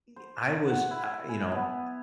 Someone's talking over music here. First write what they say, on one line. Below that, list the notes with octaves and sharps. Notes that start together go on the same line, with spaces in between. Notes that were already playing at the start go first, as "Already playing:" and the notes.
e I was, uh, you know,
C5
F#5
E4
G#5
B3